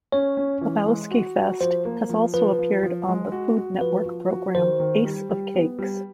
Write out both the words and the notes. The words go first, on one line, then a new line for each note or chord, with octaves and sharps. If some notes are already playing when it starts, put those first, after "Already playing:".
Lebowski Fest has also appeared on the Food Network program Ace of Cakes.
C#4 C#5
C#4
E3
G#3
F#4
F#4
F3 C5
A#3
F3
F3 B4
F3
F3
G#3
F#4
F#4
F3 B4
F3
F#4
D#3 C5
D#3
G3
G3
B3
G3